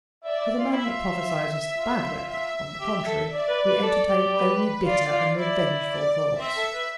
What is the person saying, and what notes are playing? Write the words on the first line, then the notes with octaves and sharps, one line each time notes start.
For the man that prophesies us bad weather, on the contrary, we entertain only bitter and revengeful thoughts.
D5 E5
E5
F4
E4 E5
F4
F4
E5
G4
A4
D5
B4
B4
A4
G4
B4
F4 D5
F4
E4 D5
D5
C4 E5
A4
B4